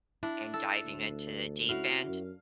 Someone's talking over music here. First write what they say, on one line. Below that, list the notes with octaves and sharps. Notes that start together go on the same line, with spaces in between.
and diving into the deep end.
D4 E4
A4
D2
C#4 E4 F#4 F5
F#2